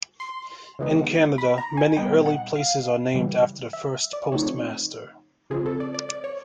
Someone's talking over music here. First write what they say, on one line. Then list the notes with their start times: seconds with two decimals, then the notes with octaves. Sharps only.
In Canada, many early places are named after the first postmaster.
0.20 C6
0.79 C#3 E3 G#3 B3 D#4
1.38 B5
1.58 A#5
1.77 G#5
1.97 A#2 G3 B3 D#4 G5
2.26 F#5
2.56 F5
3.14 C#3 E3 G3
3.73 E5
4.13 D5
4.32 C#3 F3 A3 C4 D#4 C#5
5.50 C#3 F3 G#3 C4 G#4
5.66 A4
5.80 D5
5.94 D5
6.09 D5
6.24 C#5